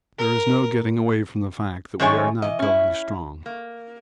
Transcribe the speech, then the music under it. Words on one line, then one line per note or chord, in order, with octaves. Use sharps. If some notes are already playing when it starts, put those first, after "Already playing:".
There is no getting away from the fact that we are not going strong.
A#4
F#2 D#3 G#3 A3 C#5 G#5
E3 D#5
C#4 E4
A#3